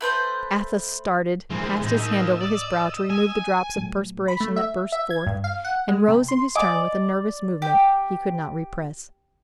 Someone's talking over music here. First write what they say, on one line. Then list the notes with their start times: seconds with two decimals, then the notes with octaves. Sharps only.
Athos started, passed his hand over his brow to remove the drops of perspiration that burst forth, and rose in his turn with a nervous movement he could not repress.
0.01 A3 B4 C5 G6
1.50 A#2 E3 F3 G#3 A#3 C4
1.81 E2 A2 D#4
1.97 A#3 D#4 D#5 E6
2.41 D5
3.10 G#5
3.76 A#2 F#3 A3
4.28 B5
4.40 A3
4.56 E5
4.92 E5
5.10 G#6
5.27 G2
5.44 F5
5.65 F#5
5.89 G#3
6.08 C3
6.28 C6
6.55 D5 D#5 G#5 D6
7.62 G4